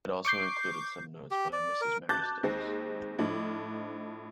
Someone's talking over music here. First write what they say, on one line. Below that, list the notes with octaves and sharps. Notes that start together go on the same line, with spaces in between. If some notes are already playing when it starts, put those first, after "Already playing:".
It also included some notes by Mrs. Mary Stokes.
C#6 D6 G6 C7
G4
D5
A#4
A5 D6 F#6 G6 A6
D#2 G#3 C4
A2 F3 D4 D#4